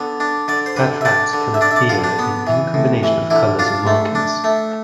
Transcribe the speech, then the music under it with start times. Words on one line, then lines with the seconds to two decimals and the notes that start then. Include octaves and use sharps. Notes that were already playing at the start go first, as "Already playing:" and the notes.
Pet rats can appear in any combination of colors and markings.
Already playing: D3 B3
0.20 D4
0.48 D3 D5
0.66 C5
0.76 D3 B4
1.01 E5
1.05 D4 D5
1.33 D3
1.54 E5
1.61 D4 D5
1.71 E5
1.76 D5
1.89 D3 F4
2.04 D4
2.19 B3
2.47 E3
2.74 A2
3.03 E3
3.30 D3 E4
3.59 D4 F4
3.87 A3
4.15 D4
4.44 A3